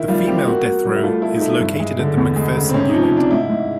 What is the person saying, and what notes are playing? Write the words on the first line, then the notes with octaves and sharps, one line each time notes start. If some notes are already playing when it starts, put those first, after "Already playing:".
The female death row is located at the McPherson Unit.
Already playing: D#3 E4
G3 F4
C4 G4
A#3 F#4
A#3
G3
E4
A3 F4
A3 E4
D#4
A3 E4
G2
G#3
D3
E2
G#3
C#3
C4
C3 C#4
F3 D#4
C#4
C3
D4
G#2 E4
G#2